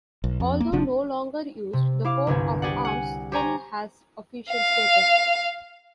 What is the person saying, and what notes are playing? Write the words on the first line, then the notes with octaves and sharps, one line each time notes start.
Although no longer used, the coat of arms still has official status.
B1
F2
A#3
F1 C3 F3 D4
C3
E4 F5 D6
G1 C2 G#4 C#5
G4 G#4 D5 F#5
F#5 G#5
G4 C5 C#5 G#5 A#5 C#6
F5